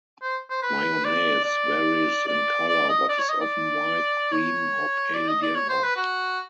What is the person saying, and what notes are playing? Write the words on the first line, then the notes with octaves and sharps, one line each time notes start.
Mayonnaise varies in color, but is often white, cream, or pale yellow.
C5
C5
B4
D5
D5
D5
D5
D#5
D5
C#5
D#5
D5
C#5
D5
D#5
D5
C#5
C5
B4
F#4